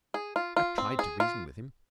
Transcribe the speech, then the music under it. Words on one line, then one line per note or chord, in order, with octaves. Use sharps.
I tried to reason with him.
G#4
F4
F4
C4
G#4
F4